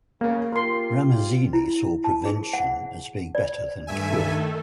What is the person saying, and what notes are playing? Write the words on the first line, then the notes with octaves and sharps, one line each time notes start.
Ramazzini saw prevention as being better than cure.
C#3 A#3
F4 G4 A#4 C6
E4
A5
G#4
F#5
D5
G2 D#3 A3 A4 E5 G#5